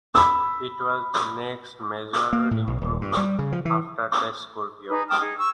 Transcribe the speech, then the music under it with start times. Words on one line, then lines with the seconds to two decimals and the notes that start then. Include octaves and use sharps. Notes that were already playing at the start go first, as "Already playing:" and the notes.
It was the next major improvement after the scorpio.
0.15 B5 E6
2.33 A#3
2.51 A2
2.67 B1
2.81 D#1
3.01 G2
3.17 G3
3.39 C#3
3.52 F3
3.65 E3
4.88 D#4 G#4 B4
5.09 G5 A5 D#6 F6
5.21 D#4 G#4
5.38 C#6 E6